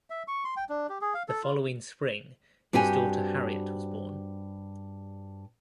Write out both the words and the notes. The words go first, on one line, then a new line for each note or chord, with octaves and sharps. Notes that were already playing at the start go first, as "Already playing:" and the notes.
The following spring his daughter Harriet was born.
E5
C#6
C6
G5
D4
G4
G#4
F5
A4
F4
G2 C4 F#4 G4 G#5